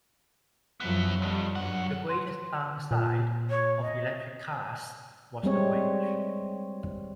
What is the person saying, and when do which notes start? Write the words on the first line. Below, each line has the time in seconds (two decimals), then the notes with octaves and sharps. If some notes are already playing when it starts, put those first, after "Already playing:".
The greatest downside of electric cars was the range.
0.80 F#2 F3 F#3 B3 E4
1.22 F2 G3
1.55 B1 G2 F#3 F#5
2.09 C6
2.91 A#2
3.50 C#5
3.81 D#5
5.43 G3 G#3 C4 C#5